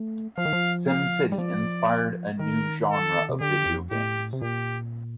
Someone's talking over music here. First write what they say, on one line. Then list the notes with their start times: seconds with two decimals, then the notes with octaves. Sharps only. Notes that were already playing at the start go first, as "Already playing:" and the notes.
"SimCity" inspired a new genre of video games.
Already playing: A3
0.38 F3 F5
0.45 D#3
0.53 F3
0.88 F5
1.32 G3
1.38 F3 D5
2.39 D#3 A#4
2.91 A4
3.29 C3
3.41 D3 G4
3.65 F2
3.91 A2 G4
4.33 C3
4.42 A#2 G4